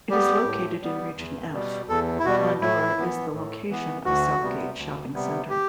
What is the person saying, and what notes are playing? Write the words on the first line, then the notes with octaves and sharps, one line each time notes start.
It is located in Region F. Mondeor is the location of Southgate Shopping Centre.
G3 B3 G4
A2
G3 B3
E2
B2 G3
E2 A4
E4
B2 G3 F#4
A2 E4
E3 B3
A2
E3 B3
D2 F#4
C3 G3 B3
D2
C3 G3 B3
G4